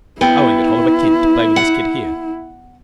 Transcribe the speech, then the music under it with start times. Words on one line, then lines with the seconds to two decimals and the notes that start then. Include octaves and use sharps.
I want to get hold of a kid to play with this kid here.
0.21 B3 E4 G5
1.56 F#5